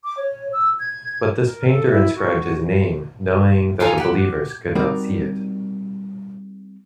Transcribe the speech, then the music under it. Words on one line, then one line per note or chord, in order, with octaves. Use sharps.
But this painter inscribed his name, knowing that the believers could not see it.
D6
C#5
E6
G#6
A#4
A4
E4
F#4
D#4 F4 A4 C#5 G#5 A#5
G4 F#5
G3 C4 D#4 F#4 A#4 D5